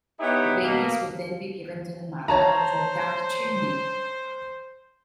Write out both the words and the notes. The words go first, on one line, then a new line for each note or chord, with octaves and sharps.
The babies would then be given to the mother or dropped down the chimney.
B3 D#4 E4 G4 C#5
B2 A#3
C5 C#5 A5 A#5